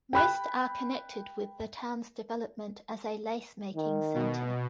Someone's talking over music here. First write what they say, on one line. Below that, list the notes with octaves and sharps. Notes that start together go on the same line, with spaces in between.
Most are connected with the town's development as a lace-making centre.
G5 B5 F#6
D#3
B2